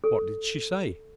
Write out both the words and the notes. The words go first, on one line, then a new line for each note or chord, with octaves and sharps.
"What did she say?"
A4